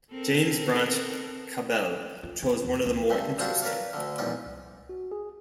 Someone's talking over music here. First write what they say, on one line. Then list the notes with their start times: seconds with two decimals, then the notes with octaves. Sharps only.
James Branch Cabell chose one of the more interesting.
0.12 C4 A4 A#4
2.23 F4
2.43 C#4
2.65 E2
2.86 C#2
3.10 C#2 G2 A3
3.38 G3 C4 D4 F4 F#4
3.62 A#4 B4 C#5 D5 F5
3.93 D2 D3
4.18 A#1 E2 G#2 C#4 D5
4.46 C2
4.89 F#4
5.12 G#4